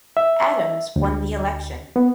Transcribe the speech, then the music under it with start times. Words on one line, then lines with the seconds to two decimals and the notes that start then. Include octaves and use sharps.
Adams won the election.
0.17 E5
0.96 D2
1.96 B3